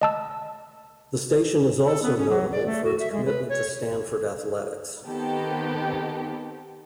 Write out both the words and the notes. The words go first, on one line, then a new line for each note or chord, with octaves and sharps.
The station is also notable for its commitment to Stanford athletics.
D#5 A5 E6
A4
B3
C#4
F#3
D5
A3
F#4
E5
G#3
B4
C#5
D#3 B3 C4 G4 A4